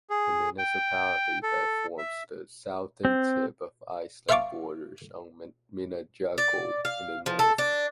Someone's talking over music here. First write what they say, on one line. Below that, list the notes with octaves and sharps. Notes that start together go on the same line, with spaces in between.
The municipality that forms the southern tip of Iceland borders on Mýrdalsjökull in the north.
G#4
G5
A4
E5
C4
C5 E5 F5 A5 C#6 D6
D5
F5
F3
A4
D4